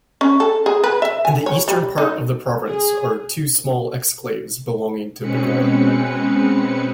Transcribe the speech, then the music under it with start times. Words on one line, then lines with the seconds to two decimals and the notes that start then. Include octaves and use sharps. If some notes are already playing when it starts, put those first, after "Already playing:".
In the eastern part of the province are two small exclaves belonging to Bigorre.
0.21 C#4
0.40 A4
0.66 G#4
0.84 B4
1.02 E5
1.25 G#5
1.46 C#5
1.68 G3
1.98 D#4
2.66 G#4
5.20 B2 G#3 C4 C#4 B4 C#7